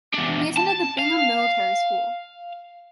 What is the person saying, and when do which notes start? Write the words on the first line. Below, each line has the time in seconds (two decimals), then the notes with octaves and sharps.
He attended the Bingham Military School.
0.14 E2 D4
0.57 A5
0.99 F5